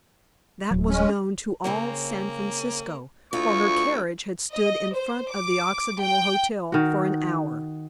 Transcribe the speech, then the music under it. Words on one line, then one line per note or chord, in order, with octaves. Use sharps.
That was known to all San Francisco, for her carriage had stood in front of the Occidental Hotel for an hour.
D1 F#3
G#3 C#4
C#3 A#3 C4 C#5
D2 F4 C#6
D#5
C5
D6
G5
D#3 F#4